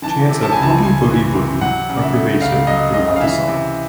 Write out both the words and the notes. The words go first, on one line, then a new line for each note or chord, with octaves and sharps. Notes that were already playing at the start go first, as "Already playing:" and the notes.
Chants of "Boogie boogie boogie" are pervasive throughout the song.
E3 A5
C3
A5
C#2 G#5
A5
C#2 G#5
E3
C3
F#3 F#5
C#3
E5
A3
C#2 F5
F#3 D#5
C#3 D#5
F5
E3 E5
C3